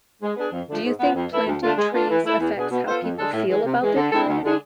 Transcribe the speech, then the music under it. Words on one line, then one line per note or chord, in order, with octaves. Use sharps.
Do you think planting trees affects how people feel about their community?
G#3
B3 D4 G#4
F2
D3 F3 A3 D4
G#2
F3 B3
F2
E3 A3 E4
D2
D3 A3 D4 F4
G#3
B3 D4 F4
E3
A3 E4
E2
B2 B3 D4 G#4
B2
B3 F4 A4 C5
F2
D3 G#3 D4 A4
A2
E3 G#3
C3
E3 G#3
D3
G#3 C4 E4 A4
D2
D3 G#3 D4 G#4